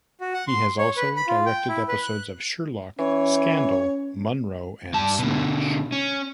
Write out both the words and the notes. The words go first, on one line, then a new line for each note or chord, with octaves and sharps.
He has also directed episodes of "Sherlock", "Scandal", "Monroe" and "Smash".
F#4
F#5
C6
C#5
B4
B5
F4
G5
E4
B4
F#6
E3 C#4 C#5
G2 A5
B2 D3
C#4